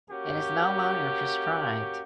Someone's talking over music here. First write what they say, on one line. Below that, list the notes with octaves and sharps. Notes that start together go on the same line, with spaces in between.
It is no longer prescribed.
A#3 C#4 F#4 G4